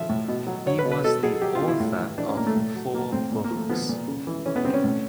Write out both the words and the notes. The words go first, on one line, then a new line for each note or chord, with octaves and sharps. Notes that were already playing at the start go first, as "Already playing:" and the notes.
He was the author of four books.
Already playing: F3 E5
A2
B2
F#3
F#3 C#5
B4
B2
B4
B2 A4
F#3 G#4
F#3 G4
F4
B2
E4
A2
E3
E3 D4
C#4
A2 A#3
A3
A2
F#3
F#3 A#3
A2 C4
A#2
A#3
F3
A3
F3 B3
A#2
C#3
E3
E3 C#4
B3
C#3 C4
C#4
A2